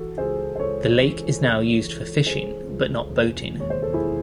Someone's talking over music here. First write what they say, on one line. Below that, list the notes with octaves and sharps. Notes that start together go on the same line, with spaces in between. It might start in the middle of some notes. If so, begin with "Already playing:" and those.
The lake is now used for fishing, but not boating.
Already playing: E3 F#4 A4
C#2 G#4 C5
C5
C#2 A4 C#5
E3
C#2
E3
C#3 G#4 C5
C#2
E1
D#2
C#5
C5
A4
E1 E4 G#4